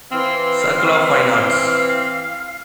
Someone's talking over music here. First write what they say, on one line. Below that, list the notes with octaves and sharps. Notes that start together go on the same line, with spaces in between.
Circle of Fine Arts.
E3 C4 F5